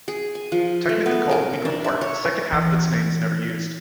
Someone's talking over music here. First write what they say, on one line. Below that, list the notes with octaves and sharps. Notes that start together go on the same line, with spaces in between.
Technically called "Wigram Park", the second half of its name is never used.
G#4
G#5
F3
A3
B3
A#4
D4
E5
C#5
E3